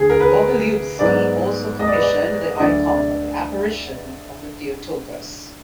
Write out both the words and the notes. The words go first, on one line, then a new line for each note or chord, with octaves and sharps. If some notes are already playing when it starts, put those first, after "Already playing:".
Bogolyubsky also commissioned the icon of the apparition of the Theotokos.
Already playing: D2 D3 G#4
A#4
B4
G#2 F#3 B3 D5
D#5
D5
B4
D5
D#5
D2 D3 F#3 D5
D5